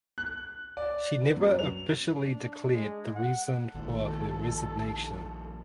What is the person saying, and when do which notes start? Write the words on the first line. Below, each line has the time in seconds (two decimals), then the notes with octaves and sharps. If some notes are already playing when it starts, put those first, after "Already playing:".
She never officially declared the reason for her resignation.
0.18 F#6
0.77 D5
1.21 B4
1.36 F#2
1.59 F7
2.25 D4
2.74 G#3
3.16 F#5
3.74 A#1 D#3 A4